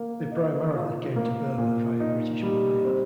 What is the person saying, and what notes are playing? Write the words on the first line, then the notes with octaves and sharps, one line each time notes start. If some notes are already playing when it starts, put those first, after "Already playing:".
They primarily came to Burma via British Malaya.
Already playing: A#3
D#5
F4
A#3
A#2
D#4
G3
C4